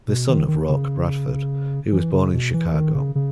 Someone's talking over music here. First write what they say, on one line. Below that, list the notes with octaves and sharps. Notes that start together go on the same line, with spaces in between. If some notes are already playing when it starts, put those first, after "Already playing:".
The son of Roark Bradford, he was born in Chicago.
B2
D#3
D#3
C#3
E3
C#3
B2
E3
D#3
C#3
C#3